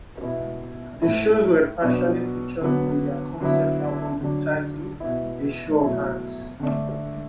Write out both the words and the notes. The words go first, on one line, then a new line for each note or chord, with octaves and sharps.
The shows were partially featured on their concert album, entitled "A Show of Hands".
B2 B3 E4
A2 A3 E4
B2 F#3 B3 D4
D3 F#3 B3
D3 F#3 B3 E4
D3 F#3 D4
B2 B3 E4
B2 F#3 A3 E4
D3 A3 D4